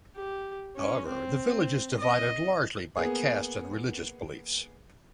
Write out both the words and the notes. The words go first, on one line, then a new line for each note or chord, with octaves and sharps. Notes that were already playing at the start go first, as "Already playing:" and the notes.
However, the village is divided largely by caste and religious beliefs.
G4
C#4
C4
D#5
A#3 B3 G#4